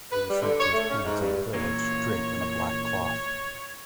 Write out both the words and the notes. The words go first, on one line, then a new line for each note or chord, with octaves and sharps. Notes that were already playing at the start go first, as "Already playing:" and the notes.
It was sent to his parents in the village draped in a black cloth.
B4
G3
D3
C#5
A3
C#4
G#2
G2
A#2 E3 A#3 C#5